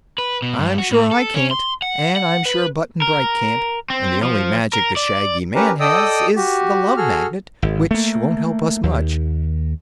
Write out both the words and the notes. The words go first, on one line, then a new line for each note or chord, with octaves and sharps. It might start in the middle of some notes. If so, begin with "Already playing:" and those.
"I'm sure I can't; and I'm sure Button-Bright can't; and the only magic the shaggy man has is the Love Magnet, which won't help us much."
B4
B2
G2
F#4
A2
A4
C#4
C6
F#5
F#5
B4
A#4
C4
F3
A#4
D5
C#4 G4 A#4 B4 A#5
A4 D5 D#5 G5 D#6 E6
F#4 G4
F#4 G#4 A4 F6
G#1
A3 A#3
D#2